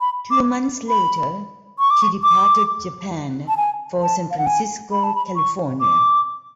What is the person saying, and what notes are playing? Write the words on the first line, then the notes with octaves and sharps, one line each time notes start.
Two months later she departed Japan for San Francisco, Cali.
B5
D6
B5
C#6
D6
C#6
D6
A5
G#5
A5
F5
F#5
G#5
B5
A5
B5
C#6
D6